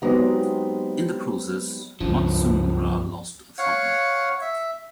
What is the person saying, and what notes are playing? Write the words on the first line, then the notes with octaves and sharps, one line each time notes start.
In the process, Matsumora lost a thumb.
F#3 G#3 B3 C4 D#4 G4
C#2 G2 F3
C#5 F5 F#5
E5